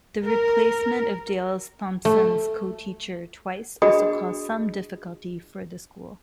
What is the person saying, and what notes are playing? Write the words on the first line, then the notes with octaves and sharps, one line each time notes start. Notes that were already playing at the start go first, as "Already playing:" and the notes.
The replacement of Dale's Thompson's co-teacher twice also caused some difficulty for the school.
A#4
A3
D4 F#4 G#4 D#5 B5 D#6